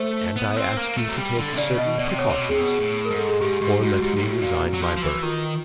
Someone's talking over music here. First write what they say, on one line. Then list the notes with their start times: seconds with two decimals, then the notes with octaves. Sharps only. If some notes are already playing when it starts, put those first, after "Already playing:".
And I ask you to take certain precautions or let me resign my berth.
Already playing: A3 C5
0.36 B3
0.56 C4
0.77 A#3
0.97 A3
1.09 F#3
1.17 G3
1.38 D3
1.52 C3
1.58 C#3 D5
1.78 B2 D#5
1.98 B2 D5
2.09 C3
2.18 B2 C#5
2.30 C3
2.41 B2
2.49 C3 G#4
2.61 B2
2.80 A2
3.05 G#2 A#4
3.18 A4
3.28 G#4
3.41 G#2 G4
3.61 G#2 G4
3.81 G#2 F#4
4.01 G#2 G4
4.16 G#2
4.21 A2
4.32 F#4
4.42 A#2
4.74 F#3
4.83 F3
4.97 F3
5.02 E3
5.23 D#3 F4